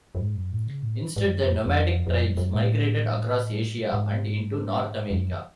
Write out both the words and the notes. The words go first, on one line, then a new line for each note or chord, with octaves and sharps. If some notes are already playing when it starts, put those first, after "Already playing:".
Instead, the nomadic tribes migrated across Asia and into North America.
F#2
G#2
F#2
A2
C#3
A2
G#2
F#2
F2
F2
F2
F#2
F#2
A2
G#2
F2
F#2